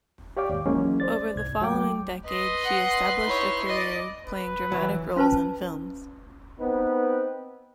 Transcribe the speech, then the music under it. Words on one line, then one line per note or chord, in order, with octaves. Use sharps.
Over the following decade she established a career playing dramatic roles in films.
G4 C#5 D5 F5 G5 D6
D#2 G#2
E3 F#3 G#3 A#3 C#4
C5 D5 A6
C2 G#2 G#6
F#3 A3 G5 D6
B4 D#5 C6
F#5
D#4 E4 C#5
D5 D#5
B4
E3 F#3
C#4 F4 B4 C5 A5
B3 C4 D#4 B4